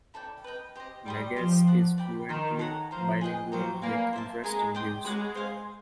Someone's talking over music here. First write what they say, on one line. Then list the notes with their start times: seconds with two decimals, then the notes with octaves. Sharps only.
Lagasse is fluently bilingual with interesting views.
0.14 E4 A4 D5 G5
0.44 B4 D#5 G5
0.76 G4 C5 D#5
1.06 G3 D5 G5 C6 D#6
1.36 F3 G4 C5 D#5
1.67 D5 F#5 A5
1.98 D5 G5 B5
2.29 D#3 A#4 D5 G5 C6
2.59 A4 C#5 F#5 A#5
2.91 F3 C5 F5 A#5
3.21 G#4 B4 D#5 G5
3.52 F#3 D#4 G4 C5 F5
3.82 A#3 B4 D5 F5 G#5
4.13 C5 E5 A5
4.43 G#3 A#4 D#5 G#5 B5
4.75 D5 G5 C6 D#6
5.05 G#3 C#5 F#5 B5 D6
5.35 C5 F5 G#5